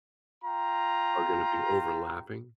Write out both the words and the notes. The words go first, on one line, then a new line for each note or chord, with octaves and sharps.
are going to be overlapping.
F4 G5 A#5